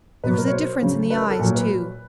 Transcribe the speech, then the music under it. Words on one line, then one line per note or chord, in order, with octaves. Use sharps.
There was a difference in the eyes, too.
B2 F#3 B4
A#4
C#5
C5
C#3 F#3
B4
A#4
A4
A#2 F#3 A#4
B4